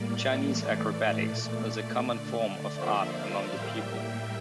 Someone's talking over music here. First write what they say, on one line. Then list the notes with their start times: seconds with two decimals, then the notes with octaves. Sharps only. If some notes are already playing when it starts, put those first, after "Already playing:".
Chinese acrobatics is a common form of art among the people.
Already playing: A2 G3 A#3 D5
0.48 A2 E3 A3
1.25 A#2 A3
2.00 D3 A3
2.76 D3 F3 A#3 C5 E5
3.15 D5 F5
3.53 A2 G3 A#3 E5 G5